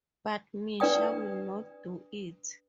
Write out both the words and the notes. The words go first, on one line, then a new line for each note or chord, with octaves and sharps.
But Misha will not do it.
D4 B4 D5 G5 D#6